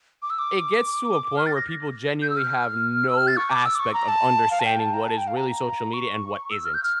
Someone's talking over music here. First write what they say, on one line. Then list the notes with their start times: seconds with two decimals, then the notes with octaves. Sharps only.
it gets to a point where people genuinely have no aspect of understanding what is really social media and what isn't.
0.22 D6
0.30 E6
0.39 D6
1.37 F6
1.46 A6
1.56 A#6
2.22 G6
2.30 E6
2.37 F6
3.08 E6
3.17 F6
3.27 A6
3.37 C#6
3.51 D6
3.65 E6
3.75 D6
3.80 C#6
3.94 A#5
4.08 A5
4.51 F5
4.60 A5
4.65 G5
4.79 A5
4.94 A#5
5.08 A5
5.18 G5
5.27 F5
5.37 A#5
5.94 C#6
6.51 E6
6.65 F6
6.74 G6
6.83 F6